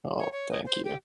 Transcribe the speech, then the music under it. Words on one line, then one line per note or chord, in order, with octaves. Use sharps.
Oh, thank you.
C#5
C#5
D#5
C5
G4